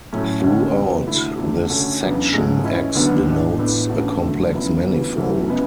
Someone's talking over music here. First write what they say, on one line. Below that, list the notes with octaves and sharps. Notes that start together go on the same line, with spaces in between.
Throughout this section, "X" denotes a complex manifold.
A2 F#3 A3 C#4
D2 D3 G#3 C#4
E2 B2 F#3 B3
D3 A3 E4
F#2 D3 F#3 A3 D4
D3 A3 C#4 F#4 A4
E2 C#3 F#3 B3 D4
G#2 F#3 A3 C#4 G#4
E3 G#3 C#4 E4
D2 D3 F#3 B3 D4
A2 G#3 D4
A2 E3 B3 D4 A4
C#3 E3 A3 D4 F#4
F#2 D3 A3
C#2 C#3 F#3 B3 E4
D2 C#3 E3 B3 F#4
F#2 E3 A3
C#3 E3 G#3 B3